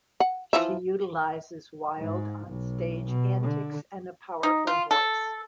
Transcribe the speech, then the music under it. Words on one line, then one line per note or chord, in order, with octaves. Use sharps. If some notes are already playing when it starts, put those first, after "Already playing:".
She utilises wild on-stage antics and a powerful voice.
F#5
E3 F3 E5
G#2
B1
B2
D3
D#4
F4
A4